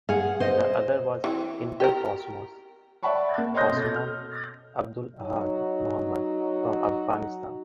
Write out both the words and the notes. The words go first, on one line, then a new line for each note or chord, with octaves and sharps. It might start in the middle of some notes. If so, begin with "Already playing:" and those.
The other was Intercosmos cosmonaut Abdul Ahad Mohmand, from Afghanistan.
G#4 F5 F#5
C5 D#5
E3 C4
G4 A#4
D5 E5 F#5 A5 B5 C#6
A#3
C#5 D#5 C6 D#6 G6 A#6
B2 A4
F6
F#3 D#4 F#4